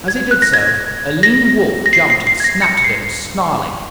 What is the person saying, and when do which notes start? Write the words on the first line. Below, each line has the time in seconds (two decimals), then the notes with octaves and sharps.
As he did so a lean wolf jumped and snapped at him, snarling.
0.08 G#6
0.31 F#6
0.42 A#6
0.54 G#6
1.23 A#6
1.86 A#6
1.93 C7
2.10 C7
2.27 C7
2.40 G#6
2.44 A#6
2.62 C#7
2.77 C#7
2.84 C7